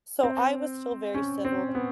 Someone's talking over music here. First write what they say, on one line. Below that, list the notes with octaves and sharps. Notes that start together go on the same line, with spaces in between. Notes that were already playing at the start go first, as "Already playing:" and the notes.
So, I was still very civil.
C4
C#4
C4
B3